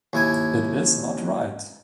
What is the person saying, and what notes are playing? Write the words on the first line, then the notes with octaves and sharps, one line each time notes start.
It is not right!
D#2 E4 G#5